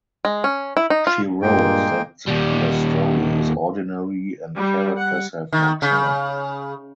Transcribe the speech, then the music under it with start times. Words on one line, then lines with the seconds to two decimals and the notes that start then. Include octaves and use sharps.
She wrote that the story is ordinary and characters have no charm.
0.25 G#3
0.44 C#4
0.77 E4
0.90 D#4
1.07 F4
1.42 G2 A#2 G#3 A#3 G5
2.27 D#2 G3
4.56 G3
4.97 F#5
5.53 D#3
5.82 C#3